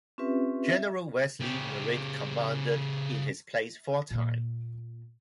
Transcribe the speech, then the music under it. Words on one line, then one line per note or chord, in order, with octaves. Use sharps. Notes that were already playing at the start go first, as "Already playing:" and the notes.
General Wesley Merritt commanded in his place for a time.
C4 C#4 F4 G4 B4 E5
E5
C#3 G4
A#2 A#3